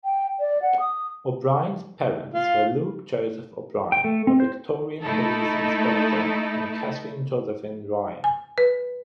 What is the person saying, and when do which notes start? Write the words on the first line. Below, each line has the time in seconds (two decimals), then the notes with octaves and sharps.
O'Brien's parents were Luke Joseph O'Brien, a Victorian Police Inspector, and Katherine Josephine Ryan.
0.05 G5
0.40 D5
0.62 F#5
0.80 D#6
2.34 F4
3.92 G5
4.04 A3
4.27 C4
4.40 C5
5.02 A3 D#4 E4 A4
8.24 G#5
8.58 B4